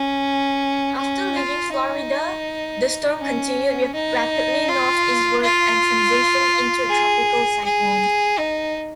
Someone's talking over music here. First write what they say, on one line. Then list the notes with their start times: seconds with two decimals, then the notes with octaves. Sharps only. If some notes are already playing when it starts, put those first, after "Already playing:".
After leaving Florida, the storm continued rapidly northeastward and transitioned into a tropical cyclone.
Already playing: C#4
0.98 C#4
1.35 F4
1.73 D#4
3.21 C#4
3.95 D#4
4.68 F4
5.42 F4
6.90 G#4
7.64 G#4
8.38 D#4